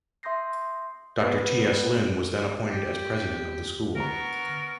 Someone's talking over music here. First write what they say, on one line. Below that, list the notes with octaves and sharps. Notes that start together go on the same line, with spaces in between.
Doctor T. S. Lin was then appointed as president of the school.
E5 C6 D#6 G6 A#6 C7
B3
G4
D3 B3 A#4 A#5 C#6